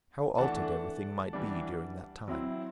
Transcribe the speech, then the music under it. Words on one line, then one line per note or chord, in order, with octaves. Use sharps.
How altered every thing might be during that time!
E3 A3 D4 F#5 A5
E3 G3 D4
F#3 C4 E4